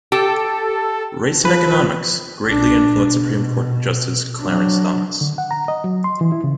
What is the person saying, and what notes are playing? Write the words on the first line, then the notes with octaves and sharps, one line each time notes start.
"Race and Economics" greatly influenced Supreme Court Justice Clarence Thomas.
G4 A4
F3 B4
A#1 D4
B2
F#3 D4
D3
F#5
A#5
D#5
F#3
C6
E3
E4
C#3